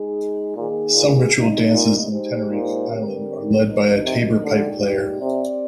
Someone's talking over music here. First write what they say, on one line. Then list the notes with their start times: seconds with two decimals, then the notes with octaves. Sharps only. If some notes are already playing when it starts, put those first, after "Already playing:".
Some ritual dances in Tenerife island are led by a tabor pipe player.
Already playing: G#3 D#4 G#4
0.56 A#2 D#3 A#3 D#4 G#4
0.94 A#2
1.33 C3 G3 A#3 D#4
1.72 A#2
2.11 G#3 D#4 G4 C5
2.49 A#2
2.88 D3 G3 C4 G4 A#4
3.66 F3 C4 D#4 A#4 D#5
4.05 C3
4.43 A#2 D3 G#3 D#4 G4 D5
5.21 C3 C4 G4 D5